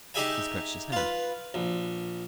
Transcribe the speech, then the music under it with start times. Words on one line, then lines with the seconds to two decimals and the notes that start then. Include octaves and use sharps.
He scratched his head.
0.14 D#4 G4 G#4 E5 G5 G#5
0.92 F4 B4
1.54 A#1